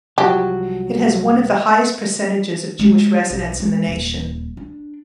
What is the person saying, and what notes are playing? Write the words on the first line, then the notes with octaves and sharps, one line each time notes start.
It has one of the highest percentages of Jewish residents in the nation.
C2 F3 F#3 F#4 G4 A5
G#3
B1
G#3
D#1
D4